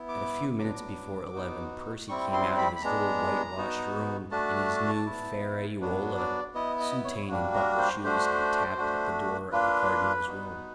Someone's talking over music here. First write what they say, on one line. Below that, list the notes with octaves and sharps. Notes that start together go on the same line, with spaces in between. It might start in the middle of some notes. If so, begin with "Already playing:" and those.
At a few minutes before eleven Percy came out of his little white-washed room in his new ferraiuola, soutane and buckle shoes, and tapped at the door of the Cardinal's room.
Already playing: B3 E4
D6
F#3 B3 D4 D6
B3 D#4 F#4
G3 C4 E4 C#6
C6
B5
B5
G#3 B3 D4 A#5
B3 D#4 F#4
A3 D4 F#4 A5
B3 E4
F#3 B3 D4 F#4
D5
B3 E4 D#5
D#5
C#5
G3 A#3 D4 F#4
A#4
C5
A3 D4 F#4 C5
A3 D4 F#4
A#3 D4 F4 B4
B3 D#4 F#4